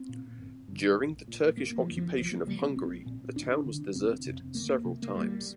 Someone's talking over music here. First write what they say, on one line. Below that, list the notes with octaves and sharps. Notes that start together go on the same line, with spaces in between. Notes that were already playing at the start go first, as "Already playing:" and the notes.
During the Turkish occupation of Hungary the town was deserted several times.
Already playing: C4
A#2
G1
G2 D3
A#1
A#2
G1 A#3
F3
F2 D3
F3
C2 F3
A#3
C3 G3
C4
A#1 C4
A#2
D2 D4
D3
F1 C4
F2 C3
D2 A#3
C3
A#3
F1 G3